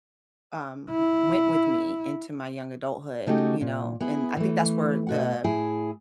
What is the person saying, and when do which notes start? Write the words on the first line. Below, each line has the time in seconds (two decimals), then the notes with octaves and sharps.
um, went with me into my young adulthood, you know? And I think that's where the
0.90 E4
3.27 C#3 A3 D#4 F#4 G4
3.61 A#2
4.00 B3 E4 G#4
4.37 E3 A3
5.07 B2 F#4 F#5
5.44 A2 E4 G#4